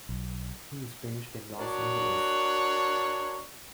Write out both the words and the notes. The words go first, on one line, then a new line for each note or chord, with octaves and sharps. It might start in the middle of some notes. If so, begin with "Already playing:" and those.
He is based in Los Angeles.
B1
D4 F#4 A#4 C#5